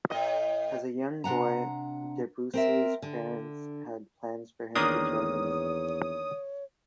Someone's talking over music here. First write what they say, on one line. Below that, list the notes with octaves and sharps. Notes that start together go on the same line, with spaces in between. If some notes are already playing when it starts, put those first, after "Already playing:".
As a young boy, Debussy's parents had plans for him to join the navy.
A2 D#5
C3 D4 F#5 A#5
C4 A#4 E5
D3
E2 D#3 A#3 D4 C#5 D#6